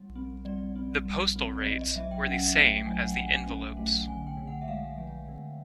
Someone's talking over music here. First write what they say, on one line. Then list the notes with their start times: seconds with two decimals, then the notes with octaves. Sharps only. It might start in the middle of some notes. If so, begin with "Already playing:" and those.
The postal rates were the same as the envelopes.
Already playing: G3
0.15 C4
0.45 G3 D5
0.75 C4
1.05 G3
1.36 C4
1.58 D5
1.66 F#3 D#5
1.81 D#5
1.96 F#3 E5
2.11 G5
2.26 C#4 F#5
2.46 E5
2.56 A3
2.66 G5
2.86 F#3 G#5
3.00 F#5
3.06 G5
3.16 F#3
3.26 G#5
3.46 C#4
3.77 A3
4.07 D3 G#5
4.27 G5
4.37 D3
4.47 F#5
4.61 E5
4.68 G#3 F5
4.98 F3
5.28 D3